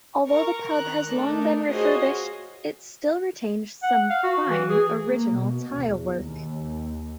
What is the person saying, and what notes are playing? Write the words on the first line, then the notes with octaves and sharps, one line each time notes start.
Although the pub has long been refurbished, it still retains some fine original tilework.
A#4 C#6
D#3 A#5 F#6
A3 D4 D#4 A4 A#4
F4 F#4 G#4 C5 C#5 D#5
F#5
F5
F#4
E3
G#4
A#3
B2
E2
D#2